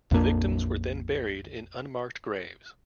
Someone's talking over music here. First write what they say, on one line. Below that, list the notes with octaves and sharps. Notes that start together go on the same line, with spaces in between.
The victims were then buried in unmarked graves.
A#1 F2 A#3 D4